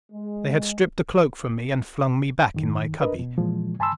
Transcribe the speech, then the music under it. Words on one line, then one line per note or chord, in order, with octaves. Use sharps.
They had stripped the cloak from me, and flung me back in my cubby.
G#3
F#2 D#3
D4 A#4 B4 D#5
B2
A#2 E3 F3 G#3
G2 G#5 A5 B5 C6 E6